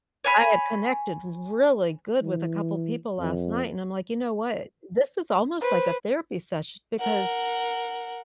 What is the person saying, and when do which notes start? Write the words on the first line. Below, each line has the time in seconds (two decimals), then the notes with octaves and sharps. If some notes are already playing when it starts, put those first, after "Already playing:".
I had connected really good with a couple people last night, and I'm like, "You know what? This is almost like a therapy sesh because
0.24 C#5 G#5 B5
2.23 E3
3.19 F2
5.61 B4 C5
6.99 A#4 F#5